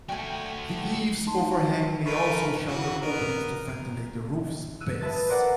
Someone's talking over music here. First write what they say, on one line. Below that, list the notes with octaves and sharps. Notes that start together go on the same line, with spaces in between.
The eaves overhang may also shelter openings to ventilate the roof space.
A3 F#4 G5 G#5
D#4 A5 C6
A3 A#4 B4 C#6
E3 F#4
B3 A#4
E6 F#6 D#7
B4 E5 A5 D#6 A6
A#4 C5 D5 F#5